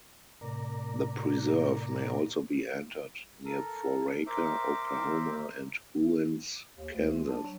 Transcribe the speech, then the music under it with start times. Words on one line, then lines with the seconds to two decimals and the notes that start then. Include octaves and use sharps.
The preserve may also be entered near Foraker, Oklahoma, and Hewins, Kansas.
0.41 A2 C3 A#4 D5 A#5
3.45 A4 A#4
4.27 A#4 C5 E5 D6
6.78 D#2
6.92 D2
7.16 G#3
7.28 D4
7.42 F#3